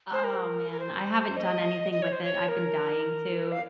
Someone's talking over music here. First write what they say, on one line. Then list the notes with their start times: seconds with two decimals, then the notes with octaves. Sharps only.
oh, man, I haven't done anything with it. I've been dying to.
0.13 C5
0.24 A#4
0.71 A#4
0.80 C5
1.37 D#5
1.92 D#5
2.02 C#5
2.12 C5
2.23 C#5
2.48 A#4
3.52 F5